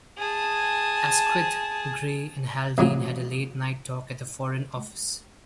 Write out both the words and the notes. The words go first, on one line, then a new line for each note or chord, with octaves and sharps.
Asquith, Grey and Haldane had a late night talk at the Foreign Office.
G#4 A5
A1 F2 C#3 F#3